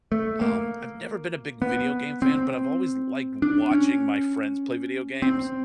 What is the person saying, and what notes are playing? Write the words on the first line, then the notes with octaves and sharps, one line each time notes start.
Um, I've never been a big video game fan, but I've always liked watching my friends play video games.
A3
A#3
B3
C4
D4
C#4
C4